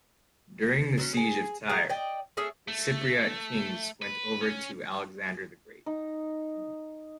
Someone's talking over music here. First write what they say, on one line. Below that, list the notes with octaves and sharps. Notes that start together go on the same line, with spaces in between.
During the siege of Tyre, the Cypriot Kings went over to Alexander the Great.
F#3 C4 C#4
G#4 G#5
G#4 A#5
D5 D#5 G5
A3 C#4 G#4 E5
A3
B4
C#4
D#4